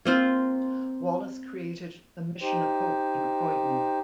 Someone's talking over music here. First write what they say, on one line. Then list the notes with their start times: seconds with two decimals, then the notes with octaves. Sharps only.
Wallis created the "Mission of Hope" in Croydon.
0.06 A#3 C4 F4
2.41 D#4 G4 C5